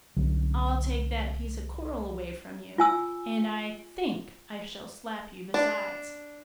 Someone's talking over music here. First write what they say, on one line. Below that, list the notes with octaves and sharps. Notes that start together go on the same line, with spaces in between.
"I'll take that piece of coral away from you, and I THINK I shall slap you besides!"
C2 D3 F#3
F4 G#5 E6
D4